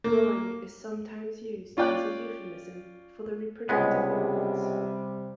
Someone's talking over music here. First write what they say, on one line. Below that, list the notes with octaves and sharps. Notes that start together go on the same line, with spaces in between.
'Groin' is sometimes used as a euphemism for the reproductive organs.
A#3
C#4 F4 D5 G5 D6 F#6
C#2 C3 G3 G#3 B3